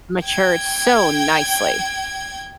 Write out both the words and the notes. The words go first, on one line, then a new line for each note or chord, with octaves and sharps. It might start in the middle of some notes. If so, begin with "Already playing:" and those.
matured so nicely.
G5 G#6